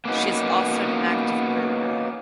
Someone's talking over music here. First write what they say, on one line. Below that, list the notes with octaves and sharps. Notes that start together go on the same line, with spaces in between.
She is also an active birder.
A#3 B3 C#4 D#4 F#4 B4